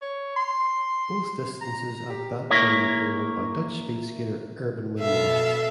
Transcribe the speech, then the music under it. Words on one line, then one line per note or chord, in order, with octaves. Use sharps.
Both distances at that tournament were won by Dutch speed skater Erben Wennemars.
C#5
C6
A#5
G4
A#3 E4 A#4 C#5
B2 A4 E5 F5